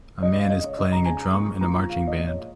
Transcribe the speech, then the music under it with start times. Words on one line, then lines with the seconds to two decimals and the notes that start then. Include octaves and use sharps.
A man is playing a drum in a marching band.
0.22 C#3 D#5
0.37 F5
0.50 G#3 D#5
0.64 C#5
0.78 C#3 D#5
0.92 A#5
1.05 G#3 G#5
1.19 A#5
1.34 A#2 C#6
1.61 F3 A#5
1.89 G#3 F5
2.07 D#5
2.18 A#2
2.27 C#5